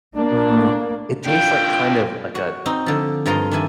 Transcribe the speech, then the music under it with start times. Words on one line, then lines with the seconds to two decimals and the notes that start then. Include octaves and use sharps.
mm, it tastes like, kind of, like a
0.15 A#3 D4
1.26 D4 F4 G5
2.35 F#4
2.66 C4 D#4
2.86 D3 F3
3.26 G2 F3 A#4 D#5 A#5 C6
3.51 D#3 D4 E5 G#5 A5